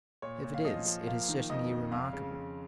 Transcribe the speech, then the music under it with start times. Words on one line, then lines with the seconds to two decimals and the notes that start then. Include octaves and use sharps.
If it is, it is certainly remarkable.
0.22 A#2 C#5
0.44 A#2
0.54 F5
0.65 F3 D#5
0.86 F3
1.07 A#3 F5
1.28 D#3
1.50 F2 D#5
1.71 F2
1.92 F2 F5
2.13 C#3
2.35 F2